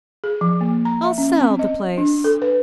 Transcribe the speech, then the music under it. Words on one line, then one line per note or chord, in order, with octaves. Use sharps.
"I'll sell the place."
G#4
F3
A#3
A#5
E5
C#4
C4
D#5
D4
A4
B4